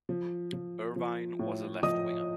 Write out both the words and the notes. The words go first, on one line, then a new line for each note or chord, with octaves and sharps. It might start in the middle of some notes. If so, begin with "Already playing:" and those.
Irvine was a left winger.
F3
F3
F3
A2
F3 D#5 D#6